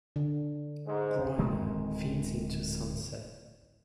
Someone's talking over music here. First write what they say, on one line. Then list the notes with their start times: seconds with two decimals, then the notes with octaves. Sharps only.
Greiner, feeds into Sunset.
0.16 D3
0.87 G#2
1.38 D1 D#3 G#3 C4